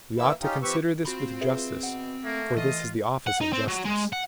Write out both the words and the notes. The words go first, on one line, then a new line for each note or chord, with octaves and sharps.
We ought to consider this with justice, for this is the office of justice.
E3 A#3 E4 E6
C#4 D#4 F4 G4
F3 C4 G4 B4 C#6 E6
C4 F4 F#4 B5 C6
G#4 B4 E5
B2 F#5
A3 A#3
E3 F4 D#5
F#5
D#4
C4
F#3
G#3
F#5